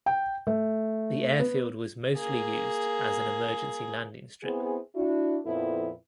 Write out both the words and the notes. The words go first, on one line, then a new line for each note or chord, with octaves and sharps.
The airfield was mostly used as an Emergency Landing strip.
G5
A3
B3
A#3 G#4
B3 C4 E4 G#4
D4 E4 F#4
F2 A#2 F3 B3 E4 A4